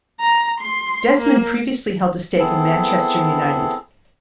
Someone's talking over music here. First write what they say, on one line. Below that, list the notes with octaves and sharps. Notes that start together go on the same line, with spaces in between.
Desmond previously held a stake in Manchester United.
A#5
C6
A#3
B3 C4 E4 G#4 A4